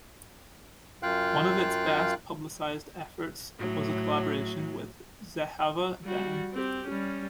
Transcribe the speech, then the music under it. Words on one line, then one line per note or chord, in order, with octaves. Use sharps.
One of its best-publicized efforts was a collaboration with Zehava Ben.
F#2 F4 F5 G5 F#6
A2 F#3
G3 F#4
C4 G4
G3 C#4